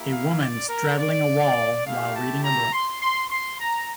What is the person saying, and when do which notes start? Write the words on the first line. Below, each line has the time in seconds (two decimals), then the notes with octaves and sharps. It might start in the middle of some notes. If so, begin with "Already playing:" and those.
A woman straddling a wall, while reading a book.
Already playing: A#3 E4 G4
0.12 F5
0.40 D5
0.69 A#4
0.98 D5
1.86 A3 E4 G4 F5
2.15 A5
2.43 A#5
2.73 C6
3.01 C6
3.30 C6
3.60 A#5